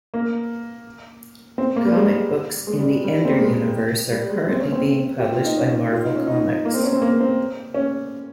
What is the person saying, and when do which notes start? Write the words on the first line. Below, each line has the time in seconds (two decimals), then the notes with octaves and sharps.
Comic books in the Ender Universe are currently being published by Marvel Comics.
0.14 A#3
1.58 C4
1.76 A#3
1.85 G3
1.95 G#3
2.67 G#3
2.80 G3
3.04 G3
3.25 C4
3.32 A#3
3.40 G#3
4.12 G3
4.30 G#3
4.48 C4
4.60 C#4
4.72 C4
4.84 C4
5.19 G4
5.32 F4
5.45 D#4
5.57 C#4
5.92 F4
6.04 D#4
6.15 C#4
6.27 D#4
6.65 A#3
6.74 C4
6.84 C#4
6.93 C4
7.02 A#3
7.20 C4
7.74 C#4